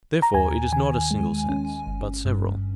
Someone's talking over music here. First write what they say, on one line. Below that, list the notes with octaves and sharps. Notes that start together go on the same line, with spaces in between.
Therefore it is not a single sense but several.
A#5
D#2 G#5
D#3 G#5
G#3
C#4
G1
G2